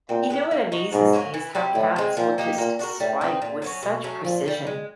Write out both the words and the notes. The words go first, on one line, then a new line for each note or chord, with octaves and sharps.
Y you know what amazes me is how cats will just swipe with such precision.
A#2 C4
E4 G#4 B4
A#3
D#4 F#4
G#2 B2
F#3 A#3 C#4
E3
G3 C4 E4
A2 D#3
G#3 C4
A#2 F3
A#3 D#4 G4
A#2 A#3
D4 F#4 A#4
A2 G3
C4 D#4
A#2
F#3 A#3 C#4
B2
F#3 A3 C#4
A#2 F3
G3 A#3
G#3